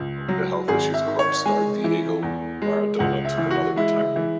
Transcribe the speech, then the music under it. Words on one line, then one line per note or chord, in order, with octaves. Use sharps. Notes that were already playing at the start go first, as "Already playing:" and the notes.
Owing to health issues club star Diego Maradona took another retirement.
Already playing: C#2
F#3
G#1 G#4
E5
D#3
C#5
G#3 G#5
E3
E2
G#3
C#2 F#5
E5
E3
F#4
G#3 E4
E3